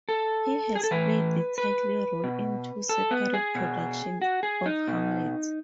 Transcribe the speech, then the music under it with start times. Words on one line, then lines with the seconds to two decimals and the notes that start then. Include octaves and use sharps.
He has played the title role in two separate productions of Hamlet.
0.09 A4
0.75 G#4
0.84 A4
0.91 A2 E3 B4
1.58 B4
2.24 B2
2.89 A4
3.11 B3
3.34 G#4
3.55 B2
4.22 F#4
4.43 G#4
4.66 D#4
4.88 B2